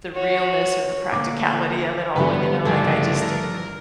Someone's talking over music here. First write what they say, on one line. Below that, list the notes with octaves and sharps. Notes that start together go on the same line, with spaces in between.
the realness or the practicality of it all, you know, like, I just didn't
F#4 C#5
D3 A#3 D6
G2 D3 E3 F#3 G3 B3 B4
C#2 G2 F3 A3 D4 E4 A4 G#5
A#4